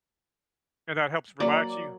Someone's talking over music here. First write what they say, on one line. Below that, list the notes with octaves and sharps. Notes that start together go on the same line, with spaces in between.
And that helps relax you?
F#3 A#3 D5